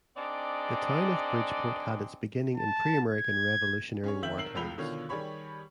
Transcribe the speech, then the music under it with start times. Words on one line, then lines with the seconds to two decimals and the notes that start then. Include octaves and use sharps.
The town of Bridgeport had its beginning in pre-American Revolutionary War times.
0.17 C4 D4 D#4 G#4 D5
2.57 A5
3.09 G#6
4.04 C#4 G#4 C#5
4.22 D#2 D#3 C4 E5 G6 F#7
4.37 B1 A#4 E6 C7 F#7
4.55 F1 C#2 F3 B5 F7 G7
4.78 B2 D3 D#3 F4 C#5
5.09 D#3 G3 G#4 C#5 B5 C#6